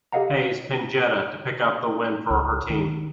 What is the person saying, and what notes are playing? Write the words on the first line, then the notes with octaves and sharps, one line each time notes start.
Haze pinned Jetta to pick up the win for her team.
G4 A4 D#5 F5 F#5 A#5
C#2
D#3